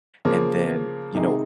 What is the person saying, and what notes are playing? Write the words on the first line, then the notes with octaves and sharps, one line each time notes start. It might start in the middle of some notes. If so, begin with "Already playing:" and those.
And then, you know,
C#3 F3 A#3
C3 D#3 G#3 D#4 G#4